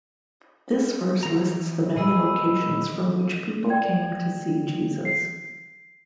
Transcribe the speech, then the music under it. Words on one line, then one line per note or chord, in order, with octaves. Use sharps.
This verse lists the many locations from which people came to see Jesus.
E3 A#5
A#2 G3 G#4 D#5 B5 E6
D5 G5 G#6
C7